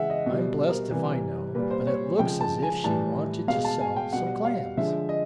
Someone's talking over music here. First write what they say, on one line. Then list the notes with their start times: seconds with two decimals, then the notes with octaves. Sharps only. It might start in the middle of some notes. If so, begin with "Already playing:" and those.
"I'm blessed if I know, but it looks as if she wanted to sell some clams."
Already playing: C#3 E3 G#3 E5 F#5
0.10 D#5
0.26 B2 G3
0.69 A#4
0.91 C3 E3 G3
1.55 A#2 G3 B4
1.71 C5
1.87 C#5
2.19 C#3 F3 G#3 G5
2.41 A5
2.63 G#5
2.84 A2 E3 G3 A5
3.48 B2 G#3 F5
3.65 A5
3.81 G#5
3.96 G5
4.13 B2 G3 F#5
4.45 F5
4.77 D3 F3 G#3 E5
5.09 D#5